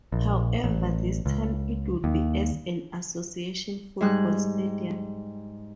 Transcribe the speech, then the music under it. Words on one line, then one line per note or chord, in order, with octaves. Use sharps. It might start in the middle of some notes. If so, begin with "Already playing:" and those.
However, this time it would be as an association football stadium.
A#1
A1
C#2
D#2
G#2 G3 G#4 F#6